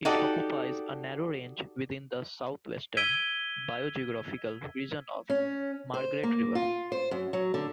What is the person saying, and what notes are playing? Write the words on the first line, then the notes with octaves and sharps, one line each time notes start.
It occupies a narrow range within the southwestern biogeographical region of Margaret River.
D#4 F#4 G4 A4 D5
E6 G#6 B6 D7 D#7 G7
C#4
C5
A#3
F4
C5
F#2
F#3
D3